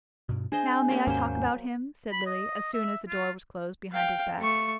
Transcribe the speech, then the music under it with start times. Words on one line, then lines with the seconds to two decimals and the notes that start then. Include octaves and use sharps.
"Now may I talk about him?" said Lily, as soon as the door was closed behind his back.
0.29 G2 B2
0.52 D4 G#4 C5 D#5 G#5
0.89 A#3 C#4 G4
1.07 D#2 G#2 F#3 C#4 C5
2.12 B5
2.26 D#5
2.74 E5
3.08 F4
3.93 F5 G5
4.38 A3 C#6